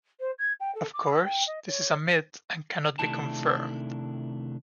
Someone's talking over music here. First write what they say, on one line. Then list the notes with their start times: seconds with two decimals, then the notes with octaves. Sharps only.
Of course, this is a myth and cannot be confirmed.
0.20 C5
0.39 G#6
0.60 G5
0.75 A4
0.94 D6
1.11 E6
1.25 G5
1.47 D#5
1.67 C#5
2.99 C3 D#3 A3 D4 E4 A5